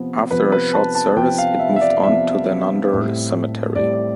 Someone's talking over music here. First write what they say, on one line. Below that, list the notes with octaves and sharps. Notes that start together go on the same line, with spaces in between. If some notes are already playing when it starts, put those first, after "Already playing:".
After a short service it moved on to the Nundah Cemetery.
Already playing: C3 F3 B3
C3 F3 B3 B4
B4
A5
A5
C3 F3 B3 G5
F5
E5
E5
D5
C3 F3 B3 E5
A2 G3 C4
A2 G3 C4 D5
D5